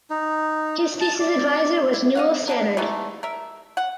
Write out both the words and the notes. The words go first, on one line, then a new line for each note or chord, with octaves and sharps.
His thesis advisor was Newell Stannard.
D#4
A5
D5
E4
D#5 F5 F#5
A#3 D4 D#4
E3 A3 B3 D#4
A#4 E5
F#5